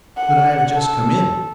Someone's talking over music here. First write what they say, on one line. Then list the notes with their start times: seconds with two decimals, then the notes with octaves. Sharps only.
But I have just come in.
0.17 F#5
0.78 A4